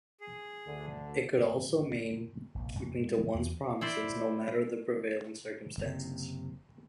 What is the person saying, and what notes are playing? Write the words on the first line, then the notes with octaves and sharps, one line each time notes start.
It could also mean keeping to one's promises no matter the prevailing circumstances.
G#4
D2 D3
F1 A#1
F2 A2 C#3 A#3
G#3
E2
E4 C5 D5
F#1 C3